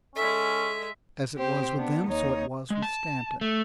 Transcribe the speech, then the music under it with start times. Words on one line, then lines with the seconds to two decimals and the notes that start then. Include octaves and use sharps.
As it was with them, so it was with Stanton.
0.16 G#3 C#4 A4 E5
1.37 C4 G4 C5
1.77 B3 D4
2.07 D#2 D#4 C#5
2.70 G#3
2.82 A5
3.41 A3